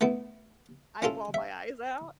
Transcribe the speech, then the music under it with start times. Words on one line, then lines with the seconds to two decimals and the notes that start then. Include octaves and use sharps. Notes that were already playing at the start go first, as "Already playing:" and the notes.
I bawl my eyes out.
0.01 A3 B3 E4
1.02 C#4 E4 F4 A4
1.34 E5